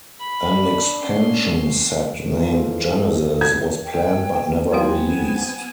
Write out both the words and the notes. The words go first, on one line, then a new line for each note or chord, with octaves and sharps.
An expansion set named "Genesis" was planned but never released.
B5
D4
C#4 C6
F2 G#2 E3 F3 A4
G#6
G5
F#3 G#3 B3 C4 E4 F#4 F5 G#5